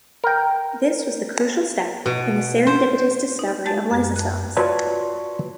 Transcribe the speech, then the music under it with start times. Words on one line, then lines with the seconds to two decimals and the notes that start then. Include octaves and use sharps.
This was the crucial step in the serendipitous discovery of lysosomes.
0.24 A#4 G5
2.06 B2
2.67 C5
3.39 D#4
3.66 G#3 G4 A5 A6
3.91 F#2
4.16 A5 F#6
4.57 F4 F#4 B4 C#5 D5 A5